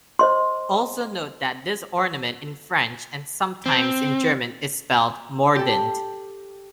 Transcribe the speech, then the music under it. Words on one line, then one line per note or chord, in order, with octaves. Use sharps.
Also note that this ornament in French, and sometimes in German, is spelled "mordant".
C5 D#5 C6
C4
G4 A4